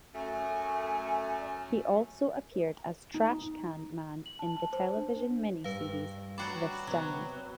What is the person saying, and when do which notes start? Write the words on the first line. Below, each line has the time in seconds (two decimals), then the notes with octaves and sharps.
He also appeared as Trashcan Man in the television miniseries "The Stand".
0.15 F#2 A3 G#5
3.14 D#4
4.26 F#7
4.39 A5
4.57 A5
4.73 C5
4.97 D4
5.64 G2 B4 F5
6.38 F#3 F#4 D5 G5 B5
6.87 C3 F#3 B3